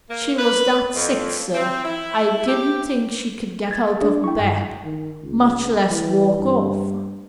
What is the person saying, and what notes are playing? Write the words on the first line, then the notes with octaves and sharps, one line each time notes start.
"She was that sick, sir, I didn't think she could get out of bed, much less walk off."
A#3
B4
F2
C4
E4
G4
G#6 A6
D4 G#4 D5
E4 G5 C#6
G2 G5
D#3
C#2
E3
G2